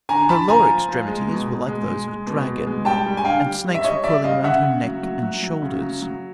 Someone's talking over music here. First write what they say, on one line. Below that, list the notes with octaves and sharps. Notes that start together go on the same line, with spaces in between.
Her lower extremities were like those of a dragon, and snakes were coiling round her neck and shoulders.
D3 G#5 A#5
D3 A5 B5
F3 G#5 A#5
F3
F3
G#3
B2
B2
G#3
G#3
G#3
B2
B2
G#3
G3 G5 A5
G3
G#5
D3 F5 G5
G3
G3
E5
G3 C#5 D#5
G3 D5 E5
G3 D#5 F5
C#3 E5 F#5
C#3
F#3
F#3
F#3
F#3
C#3
F#3
F#3